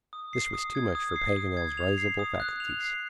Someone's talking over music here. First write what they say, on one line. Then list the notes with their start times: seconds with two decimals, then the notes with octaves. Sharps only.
This was too much for Paganel's risible faculties.
0.13 D#6
0.33 C7
0.54 D#6
0.75 G#6
0.95 D#6
1.16 C7
1.37 D#6
1.57 G#6
1.77 F7
1.98 C7
2.19 D#6
2.40 F#6
2.60 F7
2.81 C7